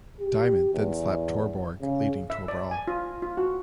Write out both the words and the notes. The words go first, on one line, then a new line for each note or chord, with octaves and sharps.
Diamond then slapped Torborg, leading to a brawl.
G4
E2
C#3
E5
D5
G#5
F4
F4
F#4